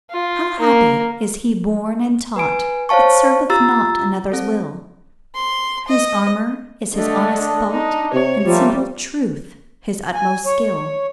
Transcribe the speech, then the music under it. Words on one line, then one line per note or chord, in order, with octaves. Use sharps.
How happy is he born and taught That serveth not another's will; Whose armour is his honest thought And simple truth his utmost skill!
F4
A#3
B4 G#5 D7
C5 C#5 F5 A5 C#6
F4 G4 A#5 E6 A6
C4 A4
C6
D#5
D3 A3 D4 D#5
D#4
C3 C#5
F3 G3 A3 A#3 C4
G#5
C#5